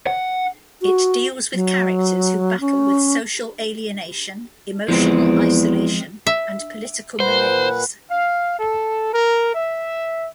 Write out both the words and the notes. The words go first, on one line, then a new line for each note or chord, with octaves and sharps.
It deals with characters who battle with social alienation, emotional isolation, and political malaise.
F#5
F#4
F#3
C#4
E2 F3 G#3 C4
E5
A#2 B4 C5 F#5
F5
A4
A#4
E5